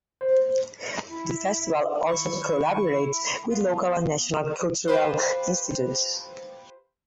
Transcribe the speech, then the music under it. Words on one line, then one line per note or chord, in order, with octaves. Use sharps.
The festival also collaborates with local and national cultural institutes.
C5
E4
D#3 E4 F4 C#6
B3 F4
F4 G4 B4 C5